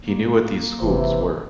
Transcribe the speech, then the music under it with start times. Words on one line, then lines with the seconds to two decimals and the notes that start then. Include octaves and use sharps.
He knew what these "schools" were.
0.01 A#3
0.80 G1 C3 E3 C5